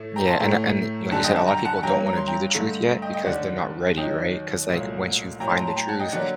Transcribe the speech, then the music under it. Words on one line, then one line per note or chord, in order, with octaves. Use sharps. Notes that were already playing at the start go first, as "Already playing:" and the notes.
Yeah, and and like you said, a lot of people don't wanna view the truth yet because they're not ready, right? 'Cause, like, once you find the truth,
Already playing: A2 A3
G5 A#5
A5 C6
A2 A3 G5 A#5
F#2 D3 G3 F#5 A5
D#5 G5
F#5 A5
G5 A#5
F#5 A5
G2 F#3 A#3 G5 A#5
A#5
C6
G5 A#5
G2 D3 A3
D#5 G5
D#5 G5
D#2 D3 G3 D5 F#5
D#2 D#3 F#3 D#5 G5
C2 A#2 F#3 A3
A2 F#3 A#3 G5 A#5
A5 C6
G5 A#5
A5 C6
G5 A#5
F#5 A5
D#5 G5
D3 F#3 A#3 D5 F#5